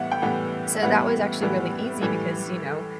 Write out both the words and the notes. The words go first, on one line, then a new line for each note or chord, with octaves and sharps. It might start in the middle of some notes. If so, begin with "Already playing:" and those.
so that was actually really easy because, you know,
Already playing: A2 E3 G3 B3 E5 F#5
G5
A2 E3 G3 B3 F#5
E5
A2 E3 G3 B3 F#5
A2 E3 G3 B3
A2 E3 G3